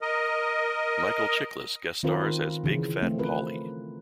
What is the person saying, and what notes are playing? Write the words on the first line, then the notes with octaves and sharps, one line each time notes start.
Michael Chiklis guest stars as Big Fat Paulie.
A#4 D#5
D#3 C4 F4 A#4 B4
C#3 E3
F3 A3 C4
C4 F4 A#4 B4